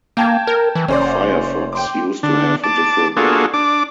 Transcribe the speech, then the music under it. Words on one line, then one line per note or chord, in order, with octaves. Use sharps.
Firefox used to have a different name.
A#3 G5 A5 G#6
A#4
E3
F#1 C#4 C5 D5
G5 C6 D6
D3 D4
A5 D6
A#3 D4 F4 F#4 G#4 A4
D4 D6